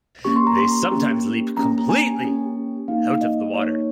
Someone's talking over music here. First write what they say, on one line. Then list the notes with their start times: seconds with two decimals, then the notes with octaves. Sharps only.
They sometimes leap completely out of the water.
0.25 A#3 C#4 G4 C#6
0.36 C6
0.47 A#5
0.59 C6
0.91 A#3 C#4 G4
1.57 A#3 C#4 G4 A#5
1.89 G#5
2.23 A#3 C#4 G4
2.88 A#3 D#4 G4 F5
3.21 D#5
3.54 A#3 D#4 G4 C#5